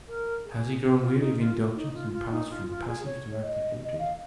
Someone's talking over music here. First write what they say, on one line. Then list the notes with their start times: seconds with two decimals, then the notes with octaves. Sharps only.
'Has he grown weary of indulgence, and passed from passive to active hatred?'
0.08 A#4
0.45 G#4
0.83 G4
1.01 F4
1.19 D#4
1.39 F4
1.76 D#4
1.94 F4
2.13 F4
2.31 D#4
2.50 F4
2.69 F4
2.87 G#4
3.05 C#5
3.43 D#5
3.80 D#5
3.98 F5